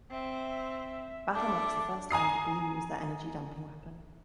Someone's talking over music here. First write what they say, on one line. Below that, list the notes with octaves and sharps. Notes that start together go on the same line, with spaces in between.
The battle marks the first time the Breen use their energy-damping weapon.
C4 E5
D4 A4 E5 D6
G#5 A#5 D#6 C7